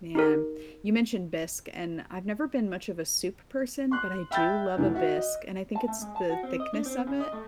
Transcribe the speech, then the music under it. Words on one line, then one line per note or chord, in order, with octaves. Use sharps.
Man, you mentioned bisque and I've never been much of a soup person, but I do love a bisque. And I think it's the thickness of it.
D#4 G4 A#4
C6 F#6
E5 G5 B5 E6 G6 A6
F1 E3
F#4 E5
D#5
A5
A3
G#3
A5
F#4
C4
D#5
D4
C4
C#3
D#5
A3